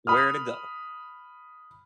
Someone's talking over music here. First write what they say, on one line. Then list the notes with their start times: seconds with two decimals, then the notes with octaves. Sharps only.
where to go,
0.07 B5 D#6 F6